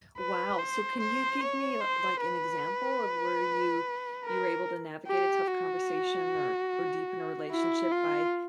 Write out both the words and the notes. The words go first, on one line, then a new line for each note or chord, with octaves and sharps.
wow, so, can you give me, l like, an example of where you you were able to navigate a tough conversation or or deepen a relationship by
B4
C5
C5
C#5
C5
B4
A#4
G4
F#4
E4
F4